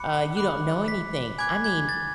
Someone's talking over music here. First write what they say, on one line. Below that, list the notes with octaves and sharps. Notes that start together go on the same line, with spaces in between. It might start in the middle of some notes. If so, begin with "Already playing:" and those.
uh, you don't know anything. I mean,
Already playing: B5 D6 F#6 C#7
B5 D6 F#6
B6
G#5 B5 D6 F#6 G#6
G#6
A6